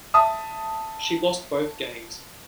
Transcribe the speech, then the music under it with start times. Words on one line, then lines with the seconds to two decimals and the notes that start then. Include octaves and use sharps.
She lost both games.
0.14 E5 A5 D#6